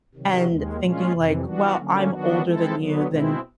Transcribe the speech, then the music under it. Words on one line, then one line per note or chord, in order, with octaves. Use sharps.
and thinking, like, "Well, I'm older than you, then
C3 D#3 F#3
D#2 D#3 G#3
A#2 F3 G#3 C#4 F4
F2 C3 E3
E3 G3 B3 D4 F#4
D3 F#3 A#3 C#4
D#3 F#3 B3 D4 F#4
G#3 C4 E4 A4
D3 F#3 B3
B2 G#3 C4 E4